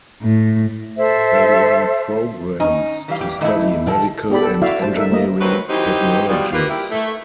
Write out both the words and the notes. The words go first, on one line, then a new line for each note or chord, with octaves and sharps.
They run programmes to study medical and engineering technologies.
A2
A4 C5 E5
C#4 D#4
E3 G3 F5
G4
E3 A3 D#4 E4
D3 G3 A4
B3 G4 D5 B5
A4
E4 F#4 D5 E5 F5
G3 C5 A5
D#4 A4 A#4 E5
A3 A#3 D#5
F2 D#3 F#3 C4 B4
D#3 E3 F#3 C4 D#4 G4
F2 G#2 B2 F3 G3
D#3 A#3 F4 G4 A#4 B4
A#3 E4 G4
A3